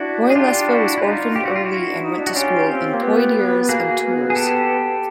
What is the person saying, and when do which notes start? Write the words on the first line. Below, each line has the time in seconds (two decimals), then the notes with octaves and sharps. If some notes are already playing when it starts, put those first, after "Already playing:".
Boylesve was orphaned early and went to school in Poitiers and Tours.
Already playing: D4 E4 F#4
0.30 G#4
0.35 F4 G4
0.68 E4 F#4
0.97 E4
1.02 D#4 F4
1.36 G4
1.46 F#4
1.56 F4
1.66 E4 F#4
1.86 D4
2.02 D#4
2.19 D4
2.27 F#4
2.35 C#4 F4 G4
2.70 C4
2.94 A#3
3.03 B3
3.36 B3
3.69 A#3 F#4 G#4
4.03 B3
4.30 G#4
4.36 G4 A4